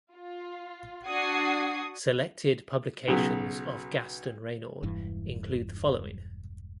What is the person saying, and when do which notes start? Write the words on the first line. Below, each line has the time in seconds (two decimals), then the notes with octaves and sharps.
Selected publications of Gaston Raynaud include the following.
0.14 F4
1.06 D4 F#4 F#5 D#6 G#6 C7
3.08 B1 C#3 F#3 B3
4.83 E1 G2 E3